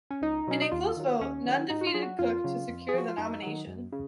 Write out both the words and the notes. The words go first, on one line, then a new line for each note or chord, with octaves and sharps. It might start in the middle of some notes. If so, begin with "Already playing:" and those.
In a close vote, Nunn defeated Cook to secure the nomination.
C#4
C#2 D#4
B2 F#3 C#4
D#4
D#2 F4
D#3 F#3
D#2 C#4
D#3 F#3
G#2 D#4
F#4
F4
F#3 G#4
F#4
F2 F4
C#3 F#3
F2
G#4
F3 F#4
F4
F#2 D#4
D#3 F#3
F#2
C#3